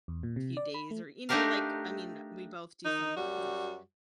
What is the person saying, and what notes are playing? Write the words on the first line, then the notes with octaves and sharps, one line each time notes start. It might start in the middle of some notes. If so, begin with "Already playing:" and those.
few days or you know, like, I mean, we both do sometimes if
E2
A#2
C3
D5
B5
A3
A3 D4 D#4 G4 A#4 F5
D#3 D#4
F#2 G3 F#4